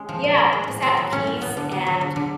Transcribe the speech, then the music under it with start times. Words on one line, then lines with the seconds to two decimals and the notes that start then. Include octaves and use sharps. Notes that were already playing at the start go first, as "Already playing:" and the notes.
yeah, just at peace and
Already playing: G#3 C#4
0.09 F3
0.24 A#2
0.38 C#4
0.53 G#3
0.68 A2
0.82 B3
0.97 F#3
1.12 A2 C#4
1.27 A2
1.41 B3
1.57 D3
1.72 B3
1.87 F#3
2.01 D3
2.16 D3